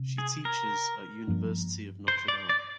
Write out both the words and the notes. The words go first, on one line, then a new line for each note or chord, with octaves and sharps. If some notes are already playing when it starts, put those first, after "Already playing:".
She teaches at University of Notre Dame.
Already playing: C3
G#4
A#4
G2 F3 A#3 D4
C5
D5
D5